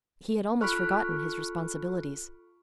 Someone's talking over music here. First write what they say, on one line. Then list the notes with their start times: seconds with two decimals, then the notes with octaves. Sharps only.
He had almost forgotten his responsibilities.
0.61 F4 A4 B5 C#6 F6 F#6